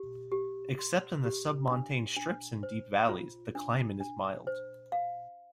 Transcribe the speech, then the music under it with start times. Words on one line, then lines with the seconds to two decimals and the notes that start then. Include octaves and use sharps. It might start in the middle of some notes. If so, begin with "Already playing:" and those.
Except in the submontane strips and deep valleys, the climate is mild.
Already playing: G4
0.32 G4
0.79 C6
1.25 G4
1.70 D4
2.17 D4
2.63 C5
3.09 F4
3.55 D4
4.00 D4
4.47 C5
4.92 F5